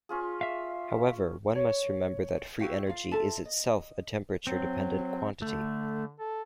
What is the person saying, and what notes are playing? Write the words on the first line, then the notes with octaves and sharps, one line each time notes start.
However, one must remember that free energy is itself a temperature dependent quantity.
C#4 F4 G#4
E5 F5
C#5
E4 F#4 G4 F5
F4 F5
F4 A4 E5 A5
D#5
F#3 C4
D3 A3
A4